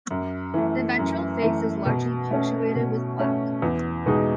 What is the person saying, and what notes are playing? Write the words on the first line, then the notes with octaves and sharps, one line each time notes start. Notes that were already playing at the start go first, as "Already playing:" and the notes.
The ventral face is largely punctuated with black.
F#2
E3 A3
F#2
E3 A3
B2
A3 C#4
B2
A3 C#4
E2
B2 G#3 D#4 G#4